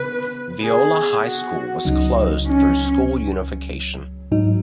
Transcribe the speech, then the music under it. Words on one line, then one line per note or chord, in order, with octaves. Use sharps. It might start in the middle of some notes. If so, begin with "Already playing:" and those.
Viola High School was closed through school unification.
Already playing: C#3 B3 B4
G#4
F#4
C#2 C#3 F#3 D#4
C#4
G#2 F#3 D#4